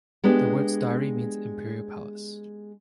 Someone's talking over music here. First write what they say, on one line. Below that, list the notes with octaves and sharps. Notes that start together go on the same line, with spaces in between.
The words "dairi" means "imperial palace".
G#3 B3 D4 G4